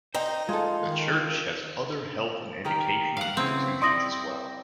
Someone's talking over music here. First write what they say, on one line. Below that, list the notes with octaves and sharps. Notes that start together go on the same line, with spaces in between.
The church has other health and educational institutions as well.
D#4 C5 G5
G#3 F4 A4
D#3
D#3 G4 A#4
F5 F#5
C#3 E3 A#3 C4
G3 E4 D5 C6 D#6 A#6